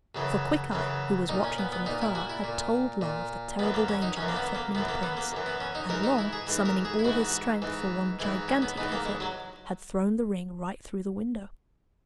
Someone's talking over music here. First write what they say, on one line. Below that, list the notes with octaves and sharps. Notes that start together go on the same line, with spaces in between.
For Quickeye, who was watching from afar, had told Long of the terrible danger now threatening the prince, and Long, summoning all his strength for one gigantic effort, had thrown the ring right through the window.
F#2 C#3 E3
F#2 C#3 E3
A#2 D#4
C#4
B3
B3
A#2 D#4
E4
F#4
E4
A#2
A#2
F#2 E3 B3
A#3
C#4
D#4
F#2 E3 C#4
A#3
B3
A#3
F#2 E3 B3
A#3
B3
A#3
F#2 E3
B3
C#4
D#4
G#2 E3 A#4
D#4
E4
G#4
G#2 E3
A#4
G#4
E4
G#2 E3 F#4
G#2 E3
G#2 E3 E4
C#4
B3
G#2 E3 B3
A#3
G#3
F#3